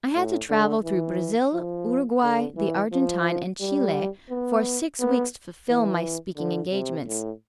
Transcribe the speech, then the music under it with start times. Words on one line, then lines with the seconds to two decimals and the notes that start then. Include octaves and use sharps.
I had to travel through Brazil, Uruguay, the Argentine, and Chile for six weeks to fulfil my speaking engagements.
0.15 A2
0.50 D3
0.84 E3
1.53 F3
2.23 D3
2.57 E3
2.92 F3
3.60 G3
4.30 B3
5.00 B3
5.69 E3
6.37 D3
6.72 C3
7.07 A2